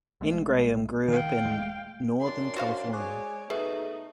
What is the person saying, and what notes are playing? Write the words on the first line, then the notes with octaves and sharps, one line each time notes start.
Ingraham grew up in Northern California.
B1 G#3 A3
D#3 F5 G5
D#1 G#3 A3
F#2 D4 C6
F#4 C5 F5
G#3 G#4 C#5 D5 C#6 D6 F#6
B2 A3 D#4 G#4 B4 E5